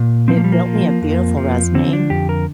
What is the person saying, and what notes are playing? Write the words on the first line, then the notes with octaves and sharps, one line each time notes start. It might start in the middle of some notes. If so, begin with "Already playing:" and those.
it built me a beautiful resume.
Already playing: A#2
F3 C4
A#3
G3
A#3
F3
F2
F3
D3 C4
D4
F2 G4
A#4